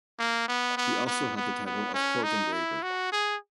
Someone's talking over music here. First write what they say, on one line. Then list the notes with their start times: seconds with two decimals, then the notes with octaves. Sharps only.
He also held the title of Court Engraver.
0.19 A#3
0.48 B3
0.77 B3
1.07 B3
1.37 B3
1.66 B3
1.94 C#4
2.24 D#4
2.53 E4
2.83 F#4
3.12 G#4